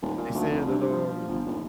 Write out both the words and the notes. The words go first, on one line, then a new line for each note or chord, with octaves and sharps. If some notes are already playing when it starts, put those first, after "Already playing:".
they said that, um
D#1
A#2
D2
F1
G2
F3
G1
D#1